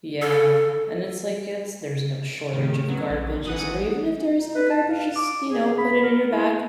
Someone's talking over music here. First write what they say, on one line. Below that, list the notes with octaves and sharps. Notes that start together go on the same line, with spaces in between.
Yeah, and it's like it's there's no shortage of garbages or even if there isn't a garbage, just, you know, put it in your bag.
A4
A2 C3 D#3
F#3 B3 C#4
A#1
A1 D#3 E3 F#5 D#6
C#4
D#4
B4
A5
F5
D6
G#4
B5
A#4
E4